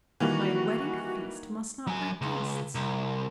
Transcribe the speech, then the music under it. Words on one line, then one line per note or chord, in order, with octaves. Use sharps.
My wedding feast must not lack guests.
D#3 E3 G3 A#3 F#4
F#3 G#5
C#2
C2